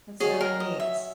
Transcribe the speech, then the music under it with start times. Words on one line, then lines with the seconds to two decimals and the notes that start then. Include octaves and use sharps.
that's really neat.
0.20 D#3 F#3 C#4 G#4
0.41 A#4
0.60 D#5
0.80 E5